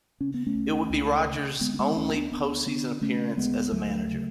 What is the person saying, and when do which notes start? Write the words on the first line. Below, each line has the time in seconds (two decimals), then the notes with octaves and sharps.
It would be Rodgers' only postseason appearance as a manager.
0.20 C#3 C#4
0.34 B3
0.47 A3 C#4
0.55 C#2
0.90 C#2
1.25 C#3
1.61 D3 G#3 B3
1.74 C#4
1.79 G#3 B3
1.96 D2 A3 C#4
2.14 B3 D4
2.31 D2 B3 D4
2.66 D3 B3 D4
3.01 C#3 A3 C#4
3.37 D2 G#3 B3
3.72 D2 F#3 A3
4.08 C#3